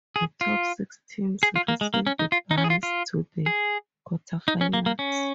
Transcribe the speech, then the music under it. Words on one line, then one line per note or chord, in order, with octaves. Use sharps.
The top six teams received byes to the quarterfinals.
G#4
F4
G#4
F4
A#3
G#3
A#3
C#4
D#4
F4
D#4
C#4
G#4
F4
F4
G#4
D#4
C#4
A#3
A#3
C#4